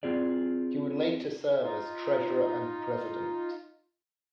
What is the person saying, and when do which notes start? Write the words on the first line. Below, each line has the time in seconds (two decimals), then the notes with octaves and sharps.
He would later serve as treasurer and president.
0.03 C4 F4 G#4 D5
1.62 D#4 F4